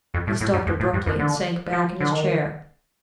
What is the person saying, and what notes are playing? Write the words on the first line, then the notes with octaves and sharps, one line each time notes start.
He stopped abruptly, and sank back in his chair.
F2
A2
A2
G2
F2
A2
G2
F2
D3
F3
D3
D#3